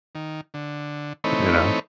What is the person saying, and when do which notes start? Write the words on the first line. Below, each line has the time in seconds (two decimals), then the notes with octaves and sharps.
you know?
0.15 D#3
0.54 D3
1.24 E3 A3 C4 D#4 C#5 B5